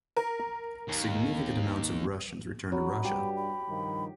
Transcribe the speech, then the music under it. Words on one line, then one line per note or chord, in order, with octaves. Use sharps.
Significant amounts of Russians returned to Russia.
A#4
D#2
F#3 B5
G2 G3 G4
B5
G2 D#3 F3